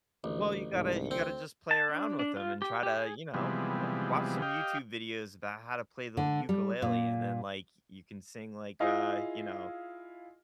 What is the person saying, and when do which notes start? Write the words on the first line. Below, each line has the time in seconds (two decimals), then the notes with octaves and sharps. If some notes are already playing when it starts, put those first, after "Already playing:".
Well, you gotta you gotta just play around with 'em and try to, you know, w watch some YouTube videos about how to play the l ukulele, and then, like, you can sing like, uh, you know,
0.24 A1 D2
0.73 C2 G#2
1.11 D2 C4
1.71 A5
1.89 D4
2.19 D4
2.37 F4
2.62 G4
2.83 G4
2.97 G#4
3.34 C3 E3 F3 G3 G#3 B3
4.42 G4 D#5 F5 G5
6.17 D3
6.49 G3
6.82 A#2
8.80 E4 F4 G#4 D#5 F5